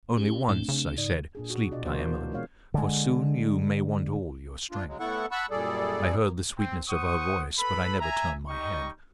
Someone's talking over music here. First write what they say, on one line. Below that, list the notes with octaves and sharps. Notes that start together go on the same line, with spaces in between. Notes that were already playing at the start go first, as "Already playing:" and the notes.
Only once I said, 'Sleep, Diamelen, for soon you may want all your strength.' I heard the sweetness of her voice, but I never turned my head.
C#4 G4
A2 A3 C4 D4
C#3
G#2 D#4 D5
A#2 D4 G#4
F#4
B2 D4 F4 D5 D#5
E3 A#3 F#4 A#4 C5
E3
G#3 B3 D4 C#5 F5
D3 G#3
D4 F4
C#3 F#3 G#3
A2 B3 E4 A4 F#5 C#6
F#5 A5 B5 C#6 E6 F#6
F#2 A#2 G3 G#4 A4 D5
A#3
C4
C5 F#5 C#6 D#6
A4 B4 B5
E5 G#5 A#5
G3 D#4 D#5 G5 C#6